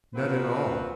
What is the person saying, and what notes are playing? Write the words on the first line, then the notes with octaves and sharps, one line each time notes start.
Not at all.
F3 A#3 C4 F#4 B4